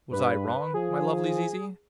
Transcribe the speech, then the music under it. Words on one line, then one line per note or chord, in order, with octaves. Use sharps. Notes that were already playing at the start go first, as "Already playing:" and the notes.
Was I wrong, my lovely Zizi?'
G2 B4
F3 G#4